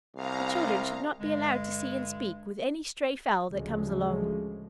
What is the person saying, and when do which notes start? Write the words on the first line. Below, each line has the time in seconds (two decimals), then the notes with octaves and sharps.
The children should not be allowed to see and speak with any stray fowl that comes along.
0.15 C2 F5 A#5
1.20 G2 D3 G#3
3.49 A1 D2 C#3 F3 G#3